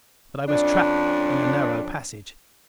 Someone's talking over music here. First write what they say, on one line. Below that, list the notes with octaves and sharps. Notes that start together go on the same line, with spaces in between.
But I was trapped in the narrow passage.
F2 C#4 D4